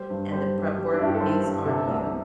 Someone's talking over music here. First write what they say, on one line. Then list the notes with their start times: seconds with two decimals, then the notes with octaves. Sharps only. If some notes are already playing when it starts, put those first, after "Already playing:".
and the prep work is on you,
Already playing: G3 C5
0.10 G2
0.32 G3 C5
0.54 G2
0.77 G3
0.93 D4
0.99 G2 E4
1.07 G4
1.14 A4
1.20 G3 C5
1.43 G2
1.65 C3 A4
1.88 C2